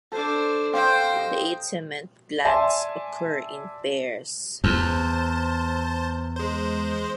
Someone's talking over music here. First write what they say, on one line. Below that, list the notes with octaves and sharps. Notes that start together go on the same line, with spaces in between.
The eight cement glands occur in pairs.
D4 A4 C5
C4 C5 F5 G5
G4 D#5
D5 E5 G#5 A5 C6
E2 C5 A5
G#3 C5